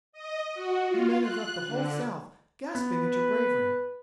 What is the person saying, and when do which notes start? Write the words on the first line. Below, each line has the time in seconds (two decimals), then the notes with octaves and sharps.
You men have left the whole South gasping at your bravery.
0.13 D#5
0.54 F#4
0.88 F4
1.19 F#6
1.66 D3
2.75 B3 B4